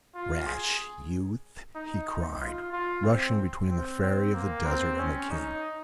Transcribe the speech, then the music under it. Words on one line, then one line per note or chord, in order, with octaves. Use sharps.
"Rash youth!" he cried, rushing between the Fairy of the Desert and the King.
F4
G#4
D#4
D#4
F4
F4
C4
C4
C4
A#3
C4
C#4
D#4